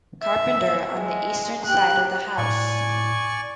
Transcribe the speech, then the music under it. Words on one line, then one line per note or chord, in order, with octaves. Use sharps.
Carpenter on the eastern side of the house.
E5
G#3
G4 F#6
A2 D5 G#5 C#6